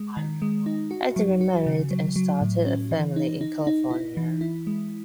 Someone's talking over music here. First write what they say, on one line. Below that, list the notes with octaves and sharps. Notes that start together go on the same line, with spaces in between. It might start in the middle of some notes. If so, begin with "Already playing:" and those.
Eddy remarried and started a family in California.
Already playing: G#3
D#3
G#3
D#4
F#4
F#3
F#4
C#3
F#3
F#3
A2
C#4
E3
D#4
D#4
D#4
E4
E3
E4
G#3